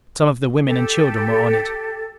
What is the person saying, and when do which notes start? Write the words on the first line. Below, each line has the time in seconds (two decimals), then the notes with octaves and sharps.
Some of the women and children were on it.
0.67 G4 A4